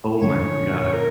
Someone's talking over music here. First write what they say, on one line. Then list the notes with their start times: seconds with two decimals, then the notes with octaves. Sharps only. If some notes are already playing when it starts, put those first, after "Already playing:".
Oh, my god.
0.22 D3 F3 C#4 C#5
0.57 A#2 F3 A#3 C#4
0.93 F4 A4 A#4